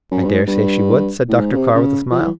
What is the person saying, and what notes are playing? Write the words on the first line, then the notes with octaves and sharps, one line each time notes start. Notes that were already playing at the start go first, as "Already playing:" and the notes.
"I dare say she would," said Dr. Carr, with a smile.
F#2
G2
G#2
G2
A2
G#2
C#3
C3
C#3
F3
E3